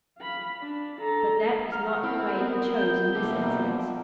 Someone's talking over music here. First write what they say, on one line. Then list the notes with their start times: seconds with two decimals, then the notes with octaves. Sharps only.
But that was not the way he chose in this instance.
0.18 F5 B5
0.60 D4
1.00 A4 A#5
1.72 D#3 F#5 A#5 F6
2.03 C4 E4
2.38 B3 A#4
2.76 D#3 B3 G6
3.14 F2 G3 A#3 D4 G4 D5 E5
3.43 B2 A#4